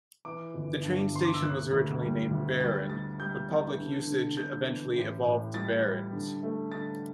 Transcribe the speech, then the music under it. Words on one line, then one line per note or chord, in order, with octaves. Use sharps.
The train station was originally named "Baron", but public usage eventually evolved to "Barons".
E3 D6
G1
G2
G1 C6
D6
E6
D2 F#6
D2
G3
D2
G3 A6
G3 A6
G3 G6
E2
D3
D3
D3 G6
E2
A1
A2
G3 A6
G3
D3
A3
D3 A6